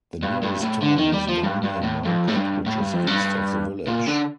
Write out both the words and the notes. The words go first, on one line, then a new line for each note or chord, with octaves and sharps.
The nearest town is Downham Market which is east of the village.
G2
G2
A2
D3
D#3
G3
F3
G2
G2
A2
F2
A2
G2
A2
G2
F2
G2
A#2
D3